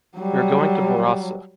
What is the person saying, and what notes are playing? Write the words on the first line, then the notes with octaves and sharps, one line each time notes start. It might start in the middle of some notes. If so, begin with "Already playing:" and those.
We are going to Borrassà.
F#3 G3